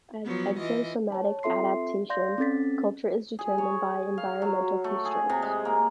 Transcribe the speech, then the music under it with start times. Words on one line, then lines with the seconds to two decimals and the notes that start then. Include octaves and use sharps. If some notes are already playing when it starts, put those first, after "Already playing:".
As exosomatic adaptation, culture is determined by environmental constraints.
0.24 F3 F#3 B3
0.59 E3 F4 D#5
1.12 C#5 A5
1.43 C4 F4 A4 E5 C6 C7
2.10 D5 F5 C6 G6 A#6
2.38 C4 C#4 A4 A6 B6
3.39 G#4
3.58 C#5
4.18 F5
4.42 F#3
4.84 A3
5.05 G#4
5.30 C3
5.42 G#3
5.65 A#3